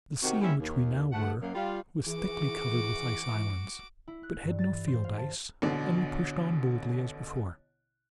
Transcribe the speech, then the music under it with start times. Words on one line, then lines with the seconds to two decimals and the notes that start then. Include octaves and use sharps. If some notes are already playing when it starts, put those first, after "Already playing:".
The sea in which we now were was thickly covered with ice islands, but had no field ice, and we pushed on boldly as before.
0.22 C3 D#3 F#4
0.41 G3 G#3 A#3 C#4 E4 E5
0.59 D#2
1.12 D2 A3 F#5
1.41 F#2 A#3
1.55 G3 F4
2.06 E3 F#4 G#4 D6
4.08 E4
4.23 F#6
4.43 G2
4.59 A6
4.72 E3
4.88 C5
5.05 F5
5.18 A5
5.62 A1 B2 D3